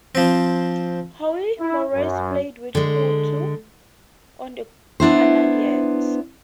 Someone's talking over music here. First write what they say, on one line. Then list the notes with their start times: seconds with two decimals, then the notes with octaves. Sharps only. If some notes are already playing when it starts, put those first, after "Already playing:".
Howie Morenz played with Coutu on the Canadiens.
0.15 F3 C4
1.59 E4
1.94 F#2
2.75 D3 G#3
5.00 B3 D4 E4 C5